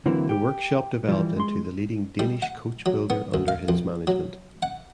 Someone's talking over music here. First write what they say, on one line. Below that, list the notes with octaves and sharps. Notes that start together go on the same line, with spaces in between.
The workshop developed into the leading Danish coach builder under his management.
D3 E3 F#3 A#3 C4 E4
G4
E3 F3 G3
G#3 C6
G3
F#5
F#3
B3
D2
F5
F2
F#3
F#5